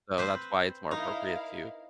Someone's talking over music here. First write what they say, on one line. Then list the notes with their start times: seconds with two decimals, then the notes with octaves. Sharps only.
So, that's why it's more appropriate to
0.18 C4 B4 C5
0.91 D#4 E4 A#4 F5